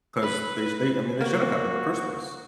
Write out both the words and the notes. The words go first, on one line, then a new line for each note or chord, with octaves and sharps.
'cause they sh they I mean, they shouldn't happen in the first place.
B4
A#3 F#4